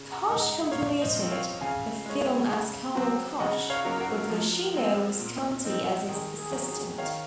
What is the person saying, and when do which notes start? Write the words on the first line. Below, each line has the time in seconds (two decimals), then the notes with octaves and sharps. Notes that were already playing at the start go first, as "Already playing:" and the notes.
Koch completed the film as "Carlo Koch", with Luchino Visconti as his assistant.
Already playing: C#3
0.12 F#5 A#5
0.27 G#3 D#4
0.42 F#5 A#5
0.71 A#2 C#5 F5
1.01 C5 D#5
1.17 F3 C4
1.31 C#5 F5
1.61 C#3 F5 G#5
2.06 G#3 C#4
2.51 C#3
2.95 F#3 C4
3.40 C#3 D#5 F#5
3.70 C#5 F5
3.85 F#3 A#3 C#4
4.00 F#4 A#4
4.30 F3
4.75 G#3 C4
5.19 A#2
5.64 F3 C4 D#4
6.09 D#3 G#4
6.38 G#4
6.53 F#3 C#4
6.68 G#4
6.98 D#3 C#5 F5